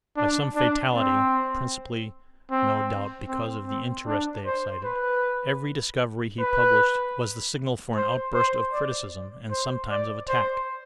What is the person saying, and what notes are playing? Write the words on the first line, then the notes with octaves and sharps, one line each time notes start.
By some fatality, principally no doubt because of the interest they excited, every discovery he published was the signal for an outburst of criticism and sometimes of attack.
D4
D4
C4
C4
C4
C4
D4
C5
B4
B4
C5
C5
D5
C5
D5
C5